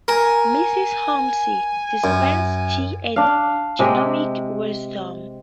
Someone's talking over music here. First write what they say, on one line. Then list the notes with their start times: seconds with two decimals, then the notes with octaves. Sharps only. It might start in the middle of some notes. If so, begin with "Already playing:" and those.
Mrs. Holmes dispensed tea and gnomic wisdom.
0.08 A#4 G#5
2.04 F#2
3.16 D4 F5
3.79 C3 G#3 G4